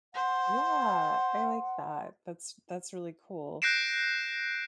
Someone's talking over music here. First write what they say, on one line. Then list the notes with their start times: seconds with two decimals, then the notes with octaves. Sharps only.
Yeah. I like that. That's that's really cool.
0.14 C5 F#5
3.62 F#6 G6 A#6 C7 D7 E7